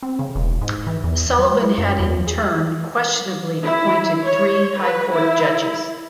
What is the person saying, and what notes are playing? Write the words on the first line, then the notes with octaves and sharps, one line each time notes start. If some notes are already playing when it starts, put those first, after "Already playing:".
Sullivan had in turn questionably appointed three High Court judges.
C4
C#3
E1
G#2
E3
E2
F#3
E4
F#2
E2
G#4
E4
C#5
B4
E4